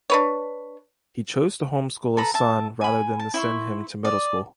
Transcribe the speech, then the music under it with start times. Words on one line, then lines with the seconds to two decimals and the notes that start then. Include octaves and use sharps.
He chose to home-school his son rather than to send him to middle school.
0.10 D4 B4 C#5
2.17 A4 B4 A#5 B5
2.34 E5 A5
2.81 G#5 B5
3.20 A5
3.34 E4 E5 C6 C#6
4.05 D5 D#5